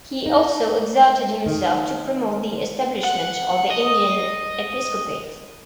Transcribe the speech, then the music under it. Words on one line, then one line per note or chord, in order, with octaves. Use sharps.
He also exerted himself to promote the establishment of the Indian episcopate.
D#4
D#3
F#5
D#5